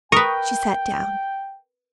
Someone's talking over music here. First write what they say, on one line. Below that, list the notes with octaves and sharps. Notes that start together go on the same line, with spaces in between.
She sat down.
A#4 B4 G5 C#6 D#6